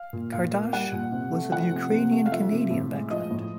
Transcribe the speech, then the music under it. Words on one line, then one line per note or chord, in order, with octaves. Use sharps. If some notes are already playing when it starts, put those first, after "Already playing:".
Kardash was of Ukrainian Canadian background.
Already playing: F5
A#2
A#2 F5
A#3
G3 F#5
A#2
C3
A3
F3 F#5
C3
C3
A3
F5
F3 E5
C3
A2
G#3
F3 D#5
A2